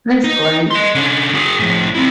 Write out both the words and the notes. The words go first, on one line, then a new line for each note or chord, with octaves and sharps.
That's great.
D#4
D#5 C6
D3 C#4
F#4 G#4
A2 F3
C4 E4